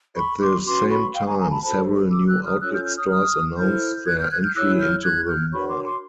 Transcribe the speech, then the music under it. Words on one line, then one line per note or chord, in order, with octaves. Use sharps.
At the same time, several new outlet stores announced their entry into the mall.
B5 C#6
C6 D6
C#4 F#4 B4 C6 D6
B5 C#6
F5 G5
G#5 A#5
G#5 A#5
A5 B5
D4 F#4 A4 C5 A5 B5
D6 E6
E6 F#6
D#6 F6
C#4 F4 A4 C#5 E6 F#6
F6 G6
F6 G6
D#6 F6
D#6 F6
E4 A4 C5 F6 G6
F#6 G#6
F6 G6
F#6 G#6
F6 G6
E4 G#4 C#5 E6 F#6
F6 G6
F#6 G#6
F6 G6
D4 F#4 A#4 C#5 B5 C#6
C6 D6
C6 D6